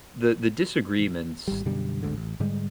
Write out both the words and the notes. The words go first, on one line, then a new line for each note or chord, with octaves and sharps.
the the disagreements,
G#1 G3
F#2 B2 D3 G3
G1 D2 G#2 D3
A1
G#2 D3 G3 G#3